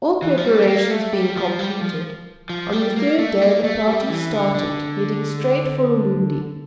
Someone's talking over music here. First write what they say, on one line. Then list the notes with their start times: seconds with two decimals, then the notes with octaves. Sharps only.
All preparations being completed, on the third day the party started, heading straight for Ulundi.
0.23 E3
0.37 F3
0.45 G3
0.62 A3
0.67 A#3
0.91 A3
1.13 G3
1.37 F3
1.59 G3
1.81 F3
2.50 F3
2.72 G3
2.96 A#3
3.19 A3
3.42 A#3
3.64 A3
3.87 G3
4.10 E3
4.33 D3
4.55 D3